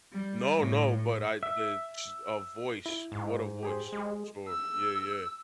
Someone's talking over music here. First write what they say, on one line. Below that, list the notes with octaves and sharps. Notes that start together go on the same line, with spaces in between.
No, no, but I did ch A voice, what a voice. Sure. Yeah, yeah.
G3
A2
E5
E4
G#2
G4 G#4 C5
G#3
E6